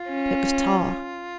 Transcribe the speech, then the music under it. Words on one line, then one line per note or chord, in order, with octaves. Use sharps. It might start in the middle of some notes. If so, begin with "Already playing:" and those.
It was Tall.
Already playing: F4
C#4